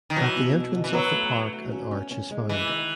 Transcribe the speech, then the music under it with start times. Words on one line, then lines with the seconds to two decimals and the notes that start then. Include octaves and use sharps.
At the entrance of the park an arch is found.
0.10 D#3
0.16 E3 F#3
0.36 B2
0.55 B2
0.74 B2
0.84 E3
0.94 F#3 B4
1.13 A3
1.34 A3
1.53 F#4
1.72 C#4
1.91 C#4
2.11 C#4
2.31 G#3
2.49 E3 G#3
2.69 D#3